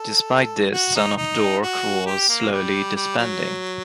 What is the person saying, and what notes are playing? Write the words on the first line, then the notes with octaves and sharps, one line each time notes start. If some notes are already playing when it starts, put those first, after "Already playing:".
Despite this, Son of Dork was slowly disbanding.
Already playing: A4
F#4
D#4
D#4
F#4
G4
A#3
F#3
G3
G3
F#3